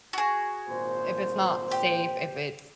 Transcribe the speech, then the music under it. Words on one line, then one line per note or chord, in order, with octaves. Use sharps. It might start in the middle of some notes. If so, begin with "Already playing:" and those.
if it's not safe, if it's
F#4 G#4
G#1 A#2 C5
G4